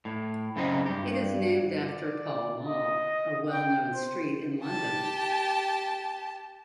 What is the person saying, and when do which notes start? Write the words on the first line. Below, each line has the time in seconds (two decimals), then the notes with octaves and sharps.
It is named after Pall Mall, a well-known street in London.
0.05 A2
0.56 F#2 C#3 B3 C4 D#4
0.86 G2 G4
1.88 D5
2.66 D#5
3.50 G5
3.94 C5
4.62 G4 A5